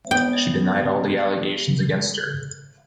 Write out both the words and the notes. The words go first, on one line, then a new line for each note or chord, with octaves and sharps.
She denied all the allegations against her.
B3 G5